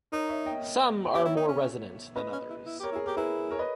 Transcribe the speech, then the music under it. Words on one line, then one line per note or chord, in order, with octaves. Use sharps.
Some are more resonant than others.
D#4 A#4 C#5
C#5 E5
D#5 G5
G5
G4 C#5 E5
E4
D#4
C#4
C#4 B4 D#5
C#4
E4
E4
G4 A#4 C#5
E4
G#4
G4 A#4
E4 G#4 B4
A#4 C#5
B4 D#5